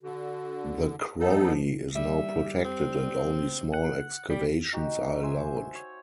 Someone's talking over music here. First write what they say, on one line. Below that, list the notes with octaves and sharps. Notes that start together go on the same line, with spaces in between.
The quarry is now protected and only small excavations are allowed.
D3 F#4
F3 B3 D#4 A4
G3 E5
C4
F#5
G3 G4
D#4 F#4 G4
C5 E5 G#5
C#5